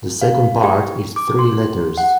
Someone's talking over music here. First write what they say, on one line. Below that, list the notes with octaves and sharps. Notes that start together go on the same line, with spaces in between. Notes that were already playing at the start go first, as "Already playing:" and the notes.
The second part is three letters.
F5
G4
D6
C6
F#5